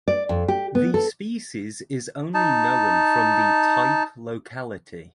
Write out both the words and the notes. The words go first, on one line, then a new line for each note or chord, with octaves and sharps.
The species is only known from the type locality.
D5
F2
G4
B3
A4
D#4 A5